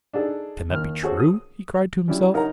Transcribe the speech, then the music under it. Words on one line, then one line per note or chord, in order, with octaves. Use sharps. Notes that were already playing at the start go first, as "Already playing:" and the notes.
"But can that be true?" he cried to himself.
D4 D#4 G#4 A4
D#2 F6
F#4 G#4 A4 C5 C#5
D#6
F#3 C#4 D4 E4 G4
D#4 A#4 C#5 F#5 A#5